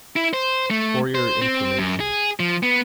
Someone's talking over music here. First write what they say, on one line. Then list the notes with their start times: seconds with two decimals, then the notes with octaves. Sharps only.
For your information.
0.16 E4
0.33 C5
0.70 A3
1.15 C5
1.41 C4
1.79 F#2
2.00 G#4
2.40 F3
2.63 B3